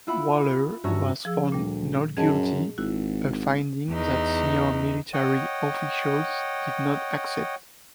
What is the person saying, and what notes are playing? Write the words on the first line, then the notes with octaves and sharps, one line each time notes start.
Waller was found not guilty, a finding that senior military officials did not accept.
E4 F4 E5 F#5 B5
B5
G2 C#4 F#4 C#5 E5 A#5
F3 G#4 E6
D2 A#2 G3
F#2 G#4 D#5 A5
G#1 E4 F#4
E2 D#4
C#5 D#5 F#5 G5